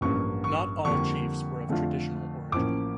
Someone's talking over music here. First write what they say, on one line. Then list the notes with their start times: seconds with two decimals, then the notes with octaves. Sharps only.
Not all chiefs were of traditional origin.
0.01 A1 G2 F3 A#3 C#4 C#6
0.44 C#6
0.85 F2 D3 G3 A#3 C#6
1.69 F2 D3 A3 D4 F4
2.52 A1 A2 F3 A#3 C#4 D6